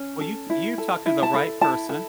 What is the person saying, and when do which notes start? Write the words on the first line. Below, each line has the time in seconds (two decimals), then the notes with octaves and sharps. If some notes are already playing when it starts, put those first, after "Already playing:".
Well you you're talking to the right person,
Already playing: C#4
0.21 A4
0.50 E4
0.78 A4
1.06 E4
1.23 A5
1.34 A4 B5
1.61 E4 A5
1.89 A4